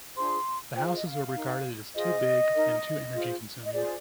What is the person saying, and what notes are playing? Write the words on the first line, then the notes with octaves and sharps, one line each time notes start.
The houses were regarded as too big and too energy consuming.
D4 F4 G#4 C5 C6
F4 G#4 C5 G5
F5
D#5
F5
D#4 A#4
F4 G#4 C5 D#5
D#4 A#4
F4 G#4 C5
D#5
F4 G#4 C5 D5